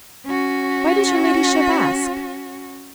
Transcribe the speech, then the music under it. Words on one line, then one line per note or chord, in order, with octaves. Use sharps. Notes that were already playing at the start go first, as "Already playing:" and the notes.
"Why does your ladyship ask?"
C#4 F#4